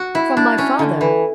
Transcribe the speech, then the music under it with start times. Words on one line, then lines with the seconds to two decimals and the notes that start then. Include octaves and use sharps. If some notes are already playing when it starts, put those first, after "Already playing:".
"From my father?"
Already playing: F#4
0.15 E4
0.37 D4
0.58 C#4
0.79 D3
1.01 E3